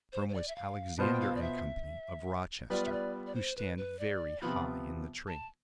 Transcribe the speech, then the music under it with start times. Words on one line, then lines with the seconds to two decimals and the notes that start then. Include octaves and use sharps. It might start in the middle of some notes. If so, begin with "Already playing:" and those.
The firm was Alexander & Company, of Rochester, who stand very high in the trade.
0.12 C5
0.29 C5
0.34 D5
0.48 E5
0.56 F5
0.98 B2 B3 F4 C5 A5
1.13 G5
1.21 F5
1.36 D5
1.41 E5
2.70 G3 B3 F4 B4 D5
2.85 E5
2.92 D5
3.27 D5
3.35 C5
3.57 B4
3.77 B4
3.99 D5
4.41 C3 F3 B3 F4 B5
5.27 A5